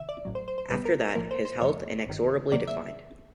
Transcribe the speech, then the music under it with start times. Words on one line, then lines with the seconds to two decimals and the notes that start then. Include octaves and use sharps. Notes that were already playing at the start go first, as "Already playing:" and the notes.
After that, his health inexorably declined.
Already playing: C3 D#3 E5
0.09 D5
0.25 A1 A2 F#3
0.35 C5
0.48 C5
0.58 C5
0.70 B1 B2 G3 B3 B4
0.85 A#4
1.15 A#1 A2 F3 A#3 A#4
1.31 C5
1.45 C5
1.61 F2 C3 F3 A3 C#5
2.07 G#1 G2 D#3
2.52 D2 C3 D#3 F#3 A#3 D5
2.67 E5